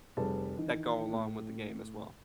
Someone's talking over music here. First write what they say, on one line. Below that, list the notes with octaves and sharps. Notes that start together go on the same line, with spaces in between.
that go along with the game as well.
F1 G3 G#4 A4 B4 A5
D#3 E3 D#4
A2